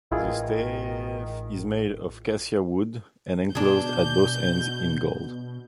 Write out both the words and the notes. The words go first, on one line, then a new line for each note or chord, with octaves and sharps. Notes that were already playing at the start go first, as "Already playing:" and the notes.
The staff is made of cassia wood and enclosed at both ends in gold.
A1 D#3 E4 F4 G#4
B2 D4 G#4 G6